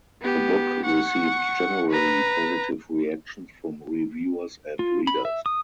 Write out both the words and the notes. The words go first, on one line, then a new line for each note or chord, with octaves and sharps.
The book received generally positive reactions from reviewers and readers.
B3 G4
F#5 C#6
B4 A#5
F4
B5
E5
D#6